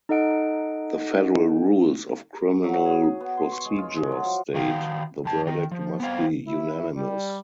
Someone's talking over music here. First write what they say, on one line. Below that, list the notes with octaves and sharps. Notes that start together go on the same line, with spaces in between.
The Federal Rules of Criminal Procedure state, The verdict must be unanimous...
D#4 A4 D#5 F#5 D7
F#3
G#4
G#4
B3
C6
C#6
G#3
F4
G#3
F#3
F3
D#3 F#4 F5 G5
F2 A5
D#3 A#4
F3
B3 C4 F5
E4
G3